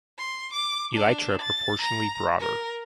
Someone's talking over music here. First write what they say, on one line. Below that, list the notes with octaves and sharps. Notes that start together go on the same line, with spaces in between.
Elytra proportionately broader.
C6
D6
D4
A6
A#5
A#4